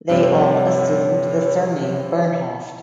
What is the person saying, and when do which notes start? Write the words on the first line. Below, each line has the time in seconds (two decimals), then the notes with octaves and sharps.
They all assumed the surname Bernhoft.
0.09 G2 C3 F3 C#5